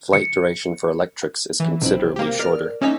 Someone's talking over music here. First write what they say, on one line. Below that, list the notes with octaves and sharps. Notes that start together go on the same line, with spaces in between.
Flight duration for electrics is considerably shorter.
C#7
E3
B1 C3 C4 E4
A#3 G4
A#4 D5 F6
A#3 C#4 D#4 E5 G#5 B6